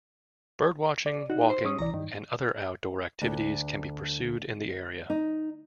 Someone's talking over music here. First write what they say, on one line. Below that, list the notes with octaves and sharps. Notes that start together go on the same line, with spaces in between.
Bird watching, walking and other outdoor activities can be pursued in the area.
D5
D#4 F#4
C5
G3 C#4 D#6
C2 E3 D5 A#5
G2 D#3
D2
D#4